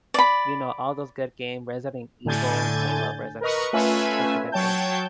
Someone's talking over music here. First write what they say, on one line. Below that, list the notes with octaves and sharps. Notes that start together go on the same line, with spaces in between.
you know, all those good games, Resident Evil- I love Resident Evil, such a good game.
D5 B5
A2 D3 G#5 G6 A6
A#4 B4 D#5 C#6
A3 C#4 F4 B4 E5 G#5
F#3 C#5 G5 A5 G6